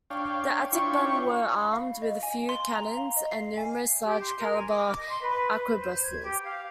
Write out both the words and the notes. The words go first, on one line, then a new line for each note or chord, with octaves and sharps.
The Atakebune were armed with a few cannons and numerous large-caliber arquebuses.
D4 C#5 F5 G5
D4 E4 F4 C#5 G5 C#6
B5
F5
D#5
G#5
C6
A#5
F5
D#5
C7
G#5
G4
C6
A#4
G#5
D6
D#5
C6
B4
C5
G#6
G4
F5